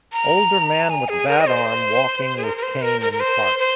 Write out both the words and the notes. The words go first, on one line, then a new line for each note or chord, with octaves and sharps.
Older man with bad arm walking with cane in park.
A#5
G#5
G#4
A#4
D#5
C5
G#4
A#4
A#4
C5
A#4
A#4
A#4
C5
C5